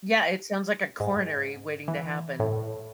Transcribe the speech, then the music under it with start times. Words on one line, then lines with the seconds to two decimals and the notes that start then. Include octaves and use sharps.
yeah, it sounds like a coronary waiting to happen.
1.00 G#2
1.88 E3
2.40 A2